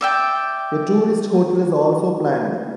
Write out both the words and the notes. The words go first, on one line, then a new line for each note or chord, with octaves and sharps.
A tourist hotel is also planned.
D5 E5 G5